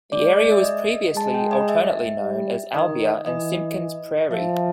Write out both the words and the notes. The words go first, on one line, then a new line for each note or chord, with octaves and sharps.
The area was previously alternately known as Albia and Simpkins' Prairie.
G#3 D5
E5
D#5
G#3 A5
G5
D#5
E5
G3
D#3 D#5
E3 D#5
F3 E5